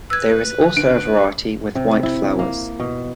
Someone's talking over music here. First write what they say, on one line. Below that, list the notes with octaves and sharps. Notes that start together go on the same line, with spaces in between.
There is also a variety with white flowers.
B4 E6 G#6
D3 D7
C3
E4
A#3
B2